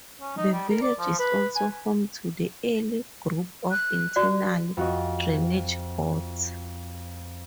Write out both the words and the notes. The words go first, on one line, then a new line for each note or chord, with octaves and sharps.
The village is also home to the Ely Group of Internal Drainage Boards.
C#4
D#4
G3
A#4
D5
F3
B4
G#5
F#6
F#4 D5
F2 F#4 D#5